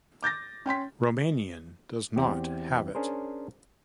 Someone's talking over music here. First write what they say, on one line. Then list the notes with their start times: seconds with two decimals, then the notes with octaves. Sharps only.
Romanian does "not" have it.
0.23 D6 G6 A6 A#6
0.66 C#4 G5 C6 B6
2.16 E2 C4 G4
2.95 C#4 D4 G#4 A#4 C5